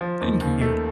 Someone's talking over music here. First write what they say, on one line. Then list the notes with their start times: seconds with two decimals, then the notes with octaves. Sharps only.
Thank you.
0.01 F3
0.21 D#2
0.41 D#2
0.61 A3